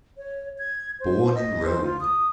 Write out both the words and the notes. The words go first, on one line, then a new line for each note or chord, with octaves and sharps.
Born in Rome.
C#5
G#6
C5
D#5
C5
F4
D#6